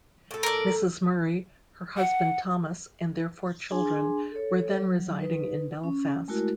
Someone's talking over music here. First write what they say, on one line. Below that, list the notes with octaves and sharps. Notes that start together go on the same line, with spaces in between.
Mrs Murray, her husband Thomas, and their four children were then residing in Belfast.
A2 A4
A#4 D5
F#5
D4 G#4 G#5 C6
A4 C#5
F#3
D#4 B4
C#4
G#3 A3 E4 F#4 A#4